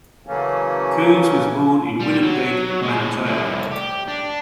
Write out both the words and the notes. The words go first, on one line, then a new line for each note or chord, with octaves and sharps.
Coons was born in Winnipeg, Manitoba.
C#3 E3 F#3 A3 A#3 C#4
G3
F#3
A2 G#3
C2 A2
G4
D4